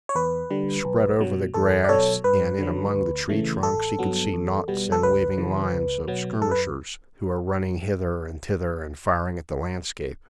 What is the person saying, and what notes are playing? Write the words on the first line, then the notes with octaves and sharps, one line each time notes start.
Spread over the grass and in among the tree trunks, he could see knots and waving lines of skirmishers who were running hither and thither and firing at the landscape.
C#5
E2 B4
D3 G3
B1
B2 F#3
E2 A4
D5
B2 F#3 A4 C#5
G2 B4
D3 F#3
D2
C#3 E3 A3
A1 A4
G2 F#3 B3
E2
B2 G3 B3
A4
C#2 B4
C#3 E3
C#2
B2 F#3 B3
F#2 A4
B4